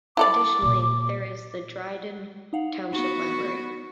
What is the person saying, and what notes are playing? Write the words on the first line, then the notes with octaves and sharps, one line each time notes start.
Additionally there is the Dryden Township Library.
E4 A4 D5 D6
A#2 A#3
D#4 F5 F#5
B3 D#4 F#4